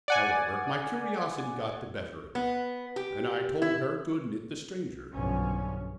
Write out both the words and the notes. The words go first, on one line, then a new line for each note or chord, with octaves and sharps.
However, my curiosity got the better of me, and I told her to admit the stranger.
D5 F#5 G#5
B3
G4
E4
B1 G2 D3 F3 C#4